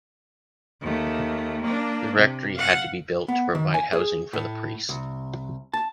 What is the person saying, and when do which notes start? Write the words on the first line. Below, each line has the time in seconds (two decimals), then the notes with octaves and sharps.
The rectory had to be built to provide housing for the priest.
0.81 D#2 A3
1.62 A#3 D4
2.17 C3
2.56 F5 F#5
3.28 B3
3.55 D#3
3.74 G#5
3.93 G#4
4.33 A2
4.89 C2
5.74 A5